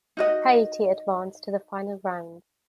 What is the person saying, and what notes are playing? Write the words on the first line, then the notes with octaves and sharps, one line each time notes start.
Haiti advanced to the Final Round.
D#4 F#4 D#5